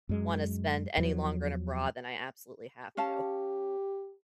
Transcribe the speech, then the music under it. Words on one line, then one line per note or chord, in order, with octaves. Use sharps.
wanna spend any longer in a bra than I absolutely have to.
F#2 G#3
E2 F3 F#3
C#4 G4 F5 A5